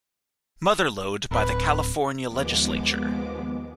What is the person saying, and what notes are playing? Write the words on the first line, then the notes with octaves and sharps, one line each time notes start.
Mother Lode by the California legislature.
D1 B4
D#2 F3 G#3 B3 D6